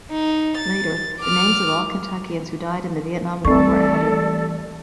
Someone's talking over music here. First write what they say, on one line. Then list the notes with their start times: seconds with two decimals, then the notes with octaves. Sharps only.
Later, the names of all Kentuckians who died in the Vietnam War were added.
0.11 D#4
0.57 A6
1.21 D6 F6
3.45 E3 G3 A3 C4 A4 D5 C#6